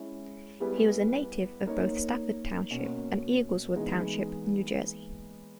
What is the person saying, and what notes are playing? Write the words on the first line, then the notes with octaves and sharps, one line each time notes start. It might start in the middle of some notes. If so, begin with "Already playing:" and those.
He was a native of both Stafford Township and Eagleswood Township, New Jersey.
Already playing: G#3 C#4 E4
G3 B3 E4 G#4 B4
A#3 D#4 A#4 C#5
B2 A#3 C#4
E3 G#3 B3 D#4 G#4